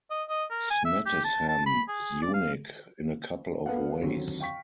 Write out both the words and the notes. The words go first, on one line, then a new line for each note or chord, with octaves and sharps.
Snettisham is unique in a couple of ways.
D#5
D#5
A#4
G#5
E5
G4
A5
A5
B5
G#4
D5
F5
A#3 B3 A4 F5 F#5
D#2 D3 F#3 C4
F5 G5 C#6 B6